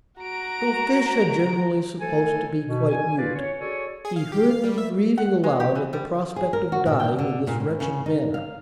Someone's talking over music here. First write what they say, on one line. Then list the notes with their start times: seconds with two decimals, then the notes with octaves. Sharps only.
Though fish are generally supposed to be quite mute, he heard them grieving aloud at the prospect of dying in this wretched manner.
0.20 F#4 A#5 D7
2.00 A3 A4 C5 G#5
2.63 B2
2.90 G#5
3.17 E4 F4 B4 D5 F5
3.35 C#5
3.60 F#4 G#4 A4 C#5 D5 G#5
4.05 G#4
4.16 F5
4.32 G4
4.50 F5
4.64 G3
4.78 E5
5.18 F#5
5.44 G#3
5.60 G4
5.75 E3
5.93 G3
6.36 G#4
6.53 A#4
6.72 F#4
6.86 A#2
7.00 G5
7.19 D3
7.47 A#2
7.60 A2
7.80 C#3
8.06 D#4
8.34 F5